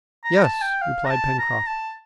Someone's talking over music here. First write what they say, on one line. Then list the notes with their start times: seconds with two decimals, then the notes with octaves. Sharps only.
"Yes," replied Pencroft.
0.24 A#5
0.43 A5
0.62 G5
0.82 F5
1.06 A#5
1.10 A5
1.39 A#5
1.67 A5